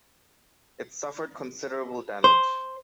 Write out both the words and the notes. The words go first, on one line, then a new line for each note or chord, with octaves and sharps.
It suffered considerable damage.
C5